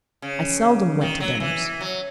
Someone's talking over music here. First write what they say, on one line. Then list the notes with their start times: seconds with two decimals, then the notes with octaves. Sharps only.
I seldom went to dinners.
0.22 C#3
1.01 D#3
1.20 F#3
1.40 E3
1.81 F#3